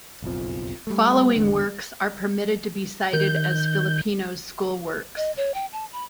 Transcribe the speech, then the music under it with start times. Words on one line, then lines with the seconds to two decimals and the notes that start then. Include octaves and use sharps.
Following works are permitted to be cited as Filippino's schoolworks.
0.22 F#1 B1 F2 F3
0.87 G3 A3
1.36 G#1 E2 D3
3.13 D#3 G6
5.17 D#5
5.37 C#5
5.54 G5
5.73 A5
5.93 B5